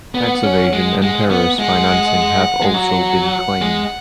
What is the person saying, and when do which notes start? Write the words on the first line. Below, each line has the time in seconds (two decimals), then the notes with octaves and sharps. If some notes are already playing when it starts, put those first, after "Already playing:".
Tax evasion and terrorist financing have also been claimed.
0.15 B3 F#5
0.44 C#4
0.73 G#3
1.02 G#3 F#5
1.30 B3 F#5
1.59 G#3 F#5
2.62 G#3
2.74 F#3 F#5
3.61 G#3